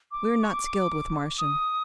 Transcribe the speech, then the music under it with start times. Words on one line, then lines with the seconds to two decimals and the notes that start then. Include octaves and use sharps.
"We are not skilled with Martian."
0.12 D6
0.43 C#6
0.53 D6
1.39 D#6